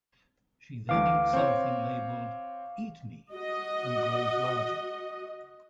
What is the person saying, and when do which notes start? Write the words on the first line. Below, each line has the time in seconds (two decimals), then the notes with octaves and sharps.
She then eats something labeled "Eat me" and grows larger.
0.89 D2 E3 F5 D6
1.33 C4 C#5
3.33 F#4 D#5